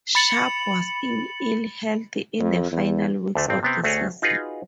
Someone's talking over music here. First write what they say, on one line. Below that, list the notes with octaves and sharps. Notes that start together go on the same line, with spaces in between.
Sharpe was in ill health in the final weeks of the season.
B5 A6 C#7 F#7
F2
E2
D2 D3 A3
A1 G2 C4
C3 B3 C4
D2 A3 F#4 G#4 C#5 G5
D#4 F4 F#4 G#4 B4